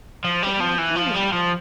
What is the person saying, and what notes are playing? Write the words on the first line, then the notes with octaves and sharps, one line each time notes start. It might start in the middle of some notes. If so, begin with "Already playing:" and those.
Put more cream in.
F3
G3
F3
E3
F3
G3
F3